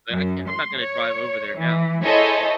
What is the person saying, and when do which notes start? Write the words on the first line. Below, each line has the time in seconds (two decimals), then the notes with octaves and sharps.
but I can't I'm not gonna drive over there now.
0.13 F#2
0.49 C6
0.81 C#5
1.58 E3
2.05 E4 G#4 A4 C5 C#5 D#5